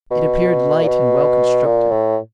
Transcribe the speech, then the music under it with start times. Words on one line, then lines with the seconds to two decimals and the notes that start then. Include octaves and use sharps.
"It appeared light and well constructed."
0.11 B2
0.83 A#2
0.88 B2
1.65 A#2
1.91 A2